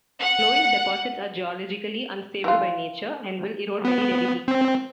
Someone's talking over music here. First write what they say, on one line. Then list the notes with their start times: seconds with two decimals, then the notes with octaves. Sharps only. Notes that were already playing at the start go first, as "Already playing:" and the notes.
Loess deposits are geologically unstable by nature, and will erode very readily.
0.19 F#5
2.44 E3 F4
3.85 B3
4.48 C4